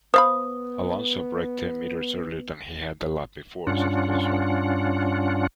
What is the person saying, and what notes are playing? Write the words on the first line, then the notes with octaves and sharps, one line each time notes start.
"Alonso braked ten metres earlier than he had the lap before," said Coulthard.
B3 C5 F5 B5 D#6
G2 C#4 D4 F4 F#5